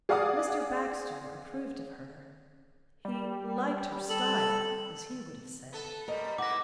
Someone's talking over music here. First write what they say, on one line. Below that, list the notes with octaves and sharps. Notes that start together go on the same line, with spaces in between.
Mr. Baxter approved of her; he "liked her style," as he would have said.
G#4 D5 F5 F#5 D6 D#6
G3
A4 F#7
B3 A4
F#2 G3 A#4 D#5
G#2 E4 B4 F#5 D6 A#6